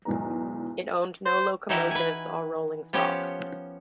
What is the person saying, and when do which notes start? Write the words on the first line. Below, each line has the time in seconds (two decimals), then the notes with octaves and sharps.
It owned no locomotives or rolling stock.
0.05 B1 E2 G#2 D#3 B3 A#5
1.26 C5
1.69 E3 D#4 E4 F#4 G4 A#4
1.91 B4 G#5
2.93 F3 B3 C#4 G4